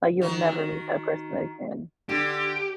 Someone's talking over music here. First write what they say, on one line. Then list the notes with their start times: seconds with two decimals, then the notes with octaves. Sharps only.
Like, you'll never meet that person again.
0.22 D#3 F#4
2.09 D3 G4